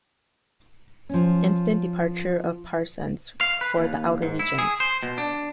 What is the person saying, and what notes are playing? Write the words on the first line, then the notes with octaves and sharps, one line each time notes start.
Instant departure of Parsons for the outer regions.
F3 C#4
F5
B4
D#2
G#2
E4
G#4
C5
B2
D4